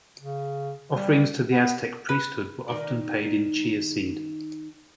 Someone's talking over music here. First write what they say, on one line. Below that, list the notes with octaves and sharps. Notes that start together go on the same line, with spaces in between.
Offerings to the Aztec priesthood were often paid in chia seed.
C#3
G3
B3
B4
D#3 D#4 D5